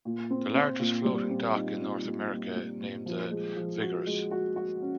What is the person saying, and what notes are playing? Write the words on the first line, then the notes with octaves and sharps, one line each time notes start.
The largest floating-dock in North America named The Vigorous.
A#2
C4
C4
A#2
G3
C4
D#4
C4
G3
A#2
G3
A#2
F3
G#3
F3
F#4
G#3
F#4
F#4
C#4